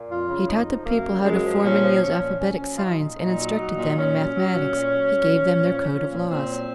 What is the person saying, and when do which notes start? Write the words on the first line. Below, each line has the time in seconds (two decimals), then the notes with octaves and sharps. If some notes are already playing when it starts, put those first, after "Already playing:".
He taught the people how to form and use alphabetic signs and instructed them in mathematics: he gave them their code of laws.
Already playing: A#2
0.08 F2 F4
0.28 C#3
0.47 F2 D#4
0.67 F3
0.86 F#2 A#3
1.06 C#3
1.25 F#2 G#3
1.44 F3
1.64 A#2 C#4
1.83 F3
2.02 F3 C#4
2.22 A#2
2.41 A#2 C#4
2.61 F#3
2.76 F4
2.80 F#3 D#4
3.00 A#2
3.19 A#2 D#4
3.38 F#3
3.58 F#3
3.77 A#2
3.97 A#2 C#4
4.16 F#3
4.36 F#3
4.55 A#2
4.74 A#2
4.93 F#3
5.14 F#3
5.33 A#2
5.52 A#2
5.71 F3
5.91 F3
6.10 A#2
6.30 A#2 C4
6.49 F#3